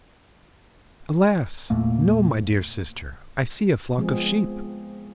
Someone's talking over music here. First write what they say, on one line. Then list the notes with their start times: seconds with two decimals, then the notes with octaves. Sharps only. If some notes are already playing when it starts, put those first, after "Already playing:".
"Alas! no, my dear sister, I see a flock of sheep."
1.70 E2 A#2 A3 A#3
3.98 F3 G#3 B3 C4 G#4